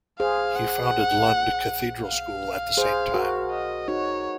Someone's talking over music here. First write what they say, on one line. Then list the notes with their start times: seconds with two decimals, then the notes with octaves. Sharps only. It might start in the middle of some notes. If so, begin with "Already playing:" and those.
He founded Lund Cathedral School at the same time.
0.19 G#4 C5 F5
0.56 F#5
2.03 F5
2.77 G#4 C5
3.14 F#4 A#4
3.51 D#5
3.88 D#4 F#4 C#5